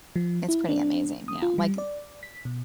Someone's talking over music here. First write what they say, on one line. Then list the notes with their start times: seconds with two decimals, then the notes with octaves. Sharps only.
It's pretty amazing, you know, like,
0.16 F3
0.49 E4
0.69 D4
1.28 D#6
1.42 F4
1.58 G3
1.78 D5
2.23 B6
2.45 B2